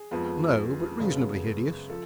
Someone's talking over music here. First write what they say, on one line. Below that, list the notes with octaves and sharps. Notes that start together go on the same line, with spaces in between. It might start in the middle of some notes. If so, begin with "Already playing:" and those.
"No, but reasonably hideous."
Already playing: G#4
F2 F3 G#3 B3
F#2 C#3 G#3 B3
F3 A4